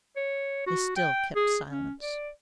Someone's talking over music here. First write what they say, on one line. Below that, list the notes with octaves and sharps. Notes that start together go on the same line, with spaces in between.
They still kept silence.
C#5
F#4
G5
G#4
C#4
D5